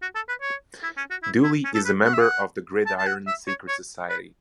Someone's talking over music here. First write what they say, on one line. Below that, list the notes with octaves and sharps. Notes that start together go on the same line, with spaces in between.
Dooley is a member of the Gridiron Secret Society.
F#4
A4
B4
C#5
E4
C#4
F#4
E4
E4
C#4
A4
B4
F#5
E5
F#5
A5
A5
F#5
E5
C#5
C#5
B4